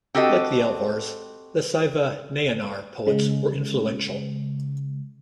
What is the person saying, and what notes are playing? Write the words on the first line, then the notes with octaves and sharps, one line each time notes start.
Like the Alvars the Saiva Nayanar poets were influential.
C4 F#4 G4 A4 D#5
C#3 G#3